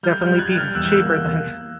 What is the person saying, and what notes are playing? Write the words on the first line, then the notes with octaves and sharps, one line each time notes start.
definitely be cheaper than
G3 F6 G6
F6 G6
G3
F#6 G#6
G3
F6 G6
E2 E6 F#6
G6
E6 F#6
A#3